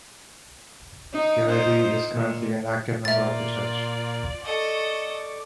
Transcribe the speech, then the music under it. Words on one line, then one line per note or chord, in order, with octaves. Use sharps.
Gileadi is currently an active member of the church.
D#4
D#4 F4 C5
A#2
A#2 F4 D5 E5 A6
A4 D5 D#5 C#6